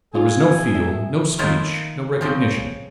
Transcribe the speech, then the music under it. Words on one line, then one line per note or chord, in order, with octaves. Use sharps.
There was no feel, no speech, no recognition.
F4 G#4 A4 G#5
E5
D#3 A3 A#3 E4 F4 A#4
C#3 F3 C4